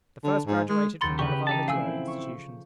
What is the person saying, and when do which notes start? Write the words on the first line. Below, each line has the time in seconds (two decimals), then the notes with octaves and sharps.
The first graduated from one of our literary institutions.
0.24 D3
0.47 G#2
0.69 G#3
1.01 D#2 F#3 B5 C6 A6 C#7
1.19 C#3 E3 G4 B4 C#6
1.47 D#4 G4 A5
1.68 F3 A3 C4 E4 F5 G#5 E6 C7
2.08 C#6